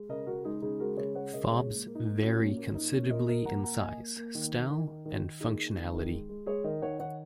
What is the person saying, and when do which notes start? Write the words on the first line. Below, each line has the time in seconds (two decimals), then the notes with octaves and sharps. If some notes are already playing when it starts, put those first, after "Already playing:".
Fobs vary considerably in size, style and functionality.
Already playing: G#3
0.09 C#3 A#4 D#5
0.27 C#3 F#4 A#4
0.44 G#3 D#4 G#4
0.62 C#3 D#4 G#4
0.80 G#3 F#4 A#4
0.97 C#3 G#4 C#5
1.15 G#3 C#5 F#5
1.33 C#3 A#4 D#5
1.51 G#3 G#4 C#5
1.69 A#2
1.87 A#3
1.95 D#4
2.05 A#3
2.22 A#3 C#4 F#4
2.39 A#2
2.57 A#3
2.75 A#2 D#4
2.92 A#2 C#4
3.10 A#3 A#4 D#5
3.28 A#3 A#4 D#5
3.45 A#2 F#5 A#5
3.63 A#3 F#5 A#5
3.81 A#3 D#5 G#5
3.99 A#3
4.16 A#3
4.35 D#3
4.52 D#3
4.70 D#3
4.87 D#3
5.05 D#3
5.23 D#3
5.40 A#3 D#4 G#4
5.58 A#3
5.76 D#3
5.93 D#3
6.12 G#3
6.29 G#3
6.46 G#3 G#4 C#5
6.64 D#3 A#4 D#5
6.82 D#3 C#5 F#5
6.99 D#3 C#5 F#5